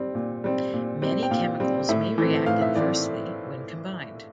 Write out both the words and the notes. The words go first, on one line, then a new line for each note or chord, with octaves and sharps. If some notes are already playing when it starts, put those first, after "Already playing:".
Many chemicals may react adversely when combined.
Already playing: G3 C4
A#2
G3 C4
A#2
G3 C4
G5
A#2 F5
G3 C4
A2 E5
E3 A3 C4
A2 F5
E5
E3 A3 C4 D5